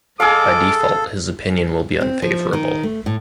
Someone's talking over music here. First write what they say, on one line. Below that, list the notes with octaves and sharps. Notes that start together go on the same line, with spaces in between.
By default, his opinion will be unfavorable.
G#3 G#4 A4 F5 D6
C4
F3
D#3
A3
A2